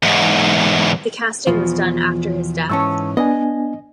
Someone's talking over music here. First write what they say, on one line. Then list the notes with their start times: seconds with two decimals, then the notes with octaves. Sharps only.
The casting was done after his death.
0.03 E2 G#2
1.47 E2 B2 F3 F4
2.69 G#2 E3 C#4 A5 C#6 E6
3.17 B3 D4 D#5 G#5